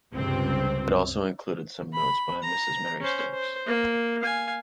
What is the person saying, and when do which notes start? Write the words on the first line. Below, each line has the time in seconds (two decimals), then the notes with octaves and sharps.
It also included some notes by Mrs. Mary Stokes.
0.14 C#2 G2 C3 C4
1.94 B5
2.43 A#5
3.01 C#4 C5
3.34 C5
3.66 A#3
4.20 F5 G#5